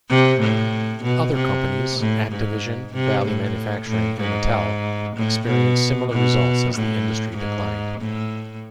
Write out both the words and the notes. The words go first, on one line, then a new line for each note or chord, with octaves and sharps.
Other companies-Activision, Bally Manufacturing, and Mattel-experienced similar results as the industry declined.
C3
A2
B2
C3
A2
G#2
C3
A2
A2
G#2
A2
B2
B2
A2
G#2
A2